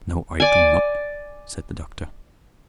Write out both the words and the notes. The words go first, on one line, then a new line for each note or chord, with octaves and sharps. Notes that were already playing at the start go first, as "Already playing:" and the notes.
"No, I do not," said the Doctor.
D5 G#5